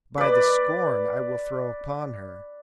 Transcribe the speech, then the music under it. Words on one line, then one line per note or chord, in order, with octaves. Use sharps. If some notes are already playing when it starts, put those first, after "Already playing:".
"By the scorn I will throw upon her."
B4 D5